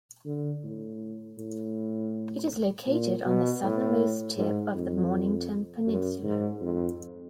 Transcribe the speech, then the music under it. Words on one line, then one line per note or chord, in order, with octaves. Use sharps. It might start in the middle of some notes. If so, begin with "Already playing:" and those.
It is located on the southernmost tip of the Mornington Peninsula.
D3
A2
A2
A#2
B2
A2
G#2
F2
F#2
G#2
F2